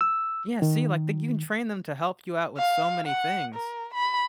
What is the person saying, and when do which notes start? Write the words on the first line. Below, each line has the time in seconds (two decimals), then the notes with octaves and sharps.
Yeah, see, like, you can train them to help you out with so many things.
0.01 E6
0.62 D#3
2.57 F5
3.07 F#5
3.55 A#4
3.94 B5